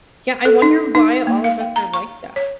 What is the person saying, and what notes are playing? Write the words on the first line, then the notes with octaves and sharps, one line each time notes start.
Yeah, I wonder why all of us are like that.
A4
D#4
D#4
A#3
F5
G5
A#5
C#6
C#5